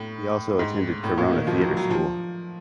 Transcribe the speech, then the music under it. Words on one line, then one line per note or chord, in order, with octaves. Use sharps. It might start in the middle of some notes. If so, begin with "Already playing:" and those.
He also attended Corona Theatre School.
Already playing: A2
G#2
A2
A#2
D#3
F3
F#3
F#3
F3